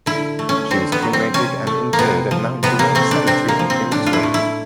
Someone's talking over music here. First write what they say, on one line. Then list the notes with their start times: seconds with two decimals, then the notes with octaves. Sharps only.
She was cremated and interred at Mount Jerome Cemetery and Crematorium.
0.06 D3 E4
0.39 A3
0.49 C#4
0.71 D3 C4
0.92 B3
1.02 F#3
1.13 C4
1.34 C3 C#4
1.67 A3
1.93 A#3
1.99 C3 B3
2.31 F3
2.63 C3 B3
2.79 A#3
2.95 A3 C4
3.11 D4
3.27 C3 C4
3.48 A#3
3.59 F3
3.70 C4
3.91 A2 D4
4.06 F4
4.13 E4
4.23 A3
4.34 E4